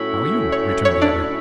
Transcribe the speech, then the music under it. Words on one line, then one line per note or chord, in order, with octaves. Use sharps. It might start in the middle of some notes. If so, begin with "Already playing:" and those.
"How are you?" returned the other.
Already playing: A2 F#3 C#4 E4
C#5
C#5
D4 D5